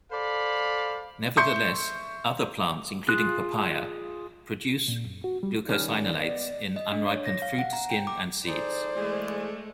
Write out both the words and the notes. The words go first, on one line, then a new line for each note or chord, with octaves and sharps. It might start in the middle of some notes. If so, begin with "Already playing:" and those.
Nevertheless, other plants, including papaya, produce glucosinolates in unripened fruit, skin and seeds.
A4 C5 D5 F5 B5
E5 C6 C#6 G6 C#7
F4 G#4 F#6
A#2
F#2
F#4
G3
D#3 G3 C#4 A5 F6
F#5
D5 D#5
B3
D#5
D4
C#5
A#6
F5
F#5
A#5
G5
D6
D#4 G#4 A4 C5 D5
E3 G#3 A3 G#4